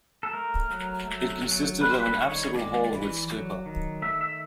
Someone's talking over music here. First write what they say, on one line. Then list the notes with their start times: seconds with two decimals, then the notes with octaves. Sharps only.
It consisted of an apsidal hall with stupa.
0.23 A4
0.33 A3 A#4
0.70 F#3
1.07 A3
1.44 F#3
1.81 G3 B4
1.90 C5
2.00 B4
2.17 D#3 C#5
2.55 G#3 D5
2.91 E3
3.28 F#3
3.66 D#3
4.02 A3 E5
4.21 E5